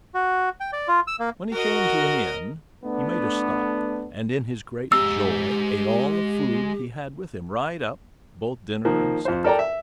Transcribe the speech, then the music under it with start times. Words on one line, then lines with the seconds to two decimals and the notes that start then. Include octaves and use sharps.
When he came to an inn, he made a stop, and in his great joy ate all the food he had with him right up, both dinner and supper.
0.15 F#4
0.60 G5
0.73 D5
0.88 F4
1.07 E6
1.20 A#3
1.52 F#4 A#4 D#5
2.84 A3 B3 D4
4.92 G#3 G4 A#5 E6
8.85 D#3 F3 A#3
9.25 F2 C5
9.44 A4 A#4 D5 G5 A#5
9.59 E5